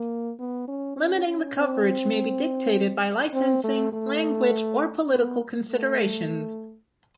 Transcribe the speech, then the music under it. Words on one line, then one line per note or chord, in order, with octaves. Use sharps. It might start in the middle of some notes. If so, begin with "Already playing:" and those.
Limiting the coverage may be dictated by licensing, language or political considerations.
Already playing: A#3
B3
C#4
C#4
C#4
C4
C4
A3
A3
B3
A3